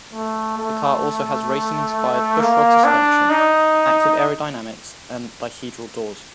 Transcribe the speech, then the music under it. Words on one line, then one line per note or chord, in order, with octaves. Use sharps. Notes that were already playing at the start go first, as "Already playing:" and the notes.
The car also has racing inspired pushrod suspension, active aerodynamics, and dihedral doors.
A3
A3
A#3
D4
D#4